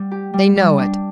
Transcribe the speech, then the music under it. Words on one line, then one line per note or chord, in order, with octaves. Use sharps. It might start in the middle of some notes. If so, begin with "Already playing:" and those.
They know it.
Already playing: G3
G4
G3
G3
D4